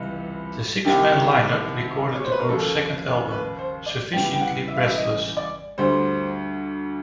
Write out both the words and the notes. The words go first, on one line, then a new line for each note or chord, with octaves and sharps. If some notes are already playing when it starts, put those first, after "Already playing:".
This six man lineup recorded the group's second album, "Sufficiently Breathless".
Already playing: C#2 C3 E3 G3
C2 C3 D#3 G4
C#5
C5
B4
A#4
D#2 C#3 F3 A4
B4
C5
D5
E2 C#3 E3 G3 G5
G5
F#5
E5
F5
E5
D#5
D5
D2 D3 G3 C5